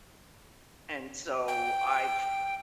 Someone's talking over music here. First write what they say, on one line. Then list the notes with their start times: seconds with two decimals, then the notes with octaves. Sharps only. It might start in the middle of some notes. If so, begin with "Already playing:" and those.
And so, I've
1.48 G5